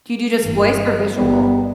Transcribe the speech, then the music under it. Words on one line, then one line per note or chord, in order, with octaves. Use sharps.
Do you do just voice or visual,
G1 G2 E3
G1 G2 E3 G3 B3